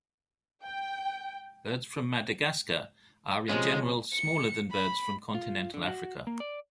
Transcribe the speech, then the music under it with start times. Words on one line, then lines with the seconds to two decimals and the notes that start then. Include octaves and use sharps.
Birds from Madagascar are in general smaller than birds from continental Africa.
0.62 G5
3.49 C3 F3 G#3 C#4
4.13 C#7
4.72 B5
5.35 F4
5.74 D3
5.88 F#4
6.27 A#3
6.40 D5